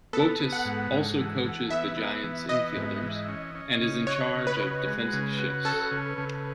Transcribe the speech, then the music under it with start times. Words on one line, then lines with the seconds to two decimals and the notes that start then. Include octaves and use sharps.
Wotus also coaches the Giants' infielders and is in charge of defensive shifts.
0.13 B3 A4
0.40 B3
0.53 F#5
0.66 G#2
0.92 G#2
1.18 E3
1.44 E3
1.70 B3 E5
1.97 B3
2.24 E3
2.49 B3 D#5
2.76 G#2
3.02 E3
3.28 C#4
3.55 C#4
3.81 C#3
4.07 F#4 C#5
4.34 C#3
4.47 B4
4.60 F#4
4.86 G#3
5.13 C#3
5.39 F#4
5.65 C#4 A4
5.91 C#3
6.18 C#3